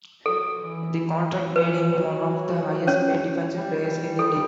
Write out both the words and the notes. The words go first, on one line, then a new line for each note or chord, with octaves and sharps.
The contract made him one of the highest paid defensive players in the league.
F#3 A4
E3
E3 B4
F#3
C#4 C#5
G3
A4